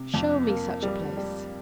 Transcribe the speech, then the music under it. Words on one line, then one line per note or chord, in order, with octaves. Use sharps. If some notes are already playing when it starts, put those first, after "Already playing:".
"Show me such a place!"
Already playing: C3
F2
A#3
G3
G3